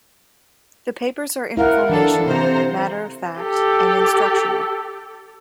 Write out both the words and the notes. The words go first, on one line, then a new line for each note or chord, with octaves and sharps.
The papers are informational, matter-of-fact, and instructional.
E4 A#4 F5 F#5
E3 D4 A4
C3 C5 A#5
G4 A4